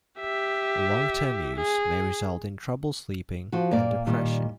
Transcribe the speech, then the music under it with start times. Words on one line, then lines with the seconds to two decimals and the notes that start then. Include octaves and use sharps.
Long term use may result in trouble sleeping and depression.
0.20 G4 E5
1.56 G#4
3.52 F3 F#4
3.71 A#2 A#3 D5
4.07 A#2 D#3 G3